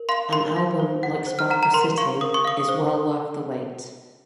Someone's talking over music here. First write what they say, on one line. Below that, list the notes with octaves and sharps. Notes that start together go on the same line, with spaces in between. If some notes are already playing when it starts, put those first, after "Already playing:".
An album like "Sparkle City" is well worth the wait.
Already playing: A#4
F5 C6
A#4 C6
F5
C5
F#5
C5
F6
F#5 A#5
A#5
A#4 C6
F5 C#6
A#4 D#6
C#6
F5 D#6
C5